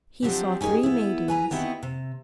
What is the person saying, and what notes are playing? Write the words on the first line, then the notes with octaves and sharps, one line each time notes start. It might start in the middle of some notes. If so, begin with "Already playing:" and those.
He saw three maidens.
F3 F#3 C4 D4 G4
C#4 D#4 G4 G#4 A#4
B3 E4
B4 G#5 A#5
B3 C4 D#4 E4 F#4
C3